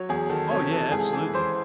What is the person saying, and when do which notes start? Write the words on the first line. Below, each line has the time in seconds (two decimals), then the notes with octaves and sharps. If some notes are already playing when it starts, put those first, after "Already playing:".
Oh, yeah. Absolutely.
Already playing: F#3 C#5
0.09 E2 G#4
0.30 D#3 A4
0.51 C3 C#5
0.71 E3 A4
0.92 G#2 G#4
1.13 E3 G#4
1.34 E3 C5